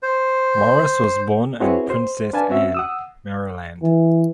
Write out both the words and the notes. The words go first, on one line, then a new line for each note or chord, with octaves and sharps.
Morris was born in Princess Anne, Maryland.
C5
C4 E4 F#4 G#4 B4 C#5
C5
D4 B4 F5 G#5 A5
C4 C#4 F#4 E5
F#5 D#6 E6
E3